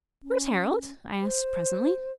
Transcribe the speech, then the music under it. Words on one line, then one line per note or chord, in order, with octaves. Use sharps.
"Where's Harold;" I asked presently.
C#4
C5